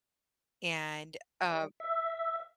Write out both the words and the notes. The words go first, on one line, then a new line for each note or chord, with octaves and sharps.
And, uh
E5